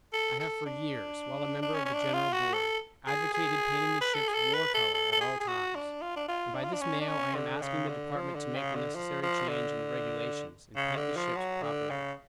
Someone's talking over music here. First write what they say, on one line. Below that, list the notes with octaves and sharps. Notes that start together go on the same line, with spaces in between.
I have for years, while a member of the General Board, advocated painting the ships war color at all times, and by this mail I am asking the Department to make the necessary change in the Regulations and paint the ships properly.
A4
A4
D4
D4
C#4
C#4
D4
F4
F#4
A4
G#4
G#4
B4
A4
G#4
A4
B4
A4
A4
A4
G#4
G#4
F#4
D4
F4
D4
F4
D4
F4
D4
C#4
D4
C#4
D3
C#3
D3
F3
D3
C#3
D3
F3
F3
D3
C#3
D3
F3
F#3
D3
C#3